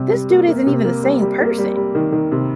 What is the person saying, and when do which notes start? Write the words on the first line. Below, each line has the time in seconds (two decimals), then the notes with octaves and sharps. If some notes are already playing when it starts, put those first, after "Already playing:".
this dude isn't even the same person.
Already playing: C3 G3
0.12 G3
0.30 A#3
0.48 A#3
0.66 C3
0.84 A#3
1.03 G3
1.22 G3
1.40 A#3
1.58 G3
1.76 G3
1.95 D#3
2.12 D#3
2.32 C3